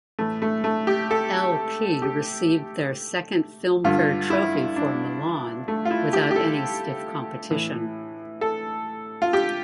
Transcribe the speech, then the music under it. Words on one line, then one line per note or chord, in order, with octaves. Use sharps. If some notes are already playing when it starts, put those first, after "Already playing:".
L-P received their second Filmfare Trophy for "Milan" without any stiff competition.
A2 E3 A3
A3
A3
G4
A4
G4
G2 D3 F4
E4
D4
A3
F4
E4
G4
G4
A4
A2 E3
A4
F4
G4